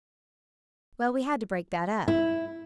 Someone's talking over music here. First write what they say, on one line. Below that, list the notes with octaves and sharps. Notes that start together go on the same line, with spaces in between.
Well, we had to break that up.
E4